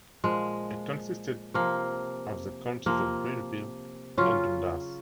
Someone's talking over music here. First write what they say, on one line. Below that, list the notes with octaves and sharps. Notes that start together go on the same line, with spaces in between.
It consisted of the counties of Grenville and Dundas.
A#2 F3 G#3
C3 F3 A#3
C3 F3 A#3
C#3 F#3 C#4 F4